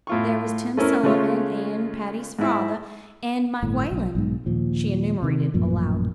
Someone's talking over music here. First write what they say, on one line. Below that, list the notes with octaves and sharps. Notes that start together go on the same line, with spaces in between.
"There was Tim Sullivan and Patty's father and Mike Whalen," she enumerated aloud.
A2 F4 C#6
A3 C#4 E4 A#4
C#3 G#3 A3 F4 C#5
G#2 E4
G1 A2
B1
B1 G#2
D#2 A#2 F3
C3 D#3
A1 F#2 A#2 F3